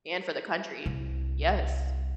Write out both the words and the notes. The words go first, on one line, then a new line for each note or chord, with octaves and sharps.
and for the country, yes.
C2